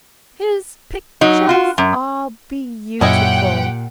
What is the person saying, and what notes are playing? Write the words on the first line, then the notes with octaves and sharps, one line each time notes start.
His pickchahs are beautiful.'
F#3 D#4
F4 F#4
F#2
F#2 A#2 C#4 E4 G4 D#5 F#5 G5